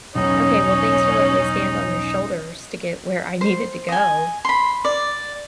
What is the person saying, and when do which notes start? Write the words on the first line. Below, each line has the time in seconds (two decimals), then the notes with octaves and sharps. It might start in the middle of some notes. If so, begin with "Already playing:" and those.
"Okay, well, thanks for letting me stand on your shoulders to get where I needed to go."
0.15 B1 E2 A2 C#4 D#4
3.41 C5
3.89 D#5 G#5
4.45 B5 C6
4.85 D5